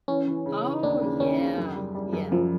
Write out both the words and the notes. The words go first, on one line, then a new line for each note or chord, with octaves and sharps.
Oh, yeah. Yeah.
E3 C#4
E3
C#3
E3
D#2 D4
C#3
D#2 C#4
C#3
F#2
G3
G3
F#2
F#2 F3